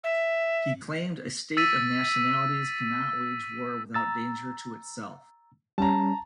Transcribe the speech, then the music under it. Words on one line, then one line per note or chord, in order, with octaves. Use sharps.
He claimed a state of nationalities cannot wage war without danger to itself.
E5
E6 A6 B6 D#7
A#5 E6 A6
G3 C#4 A5 A#5